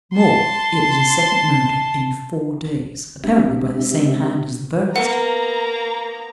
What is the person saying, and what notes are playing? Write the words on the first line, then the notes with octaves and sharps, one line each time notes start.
More, it was a second murder in four days, apparently by the same hand as the first.
A5 C6
G#3 C4 D4 G4 E5
A#3 B3 A#4 F#5 A#5